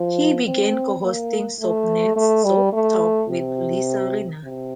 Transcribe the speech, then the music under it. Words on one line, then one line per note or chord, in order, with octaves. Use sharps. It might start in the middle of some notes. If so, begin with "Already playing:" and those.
He began co-hosting Soapnet's "Soap Talk" with Lisa Rinna.
Already playing: F3
C4
A#3
A3
A3
G3
A3
C3
C3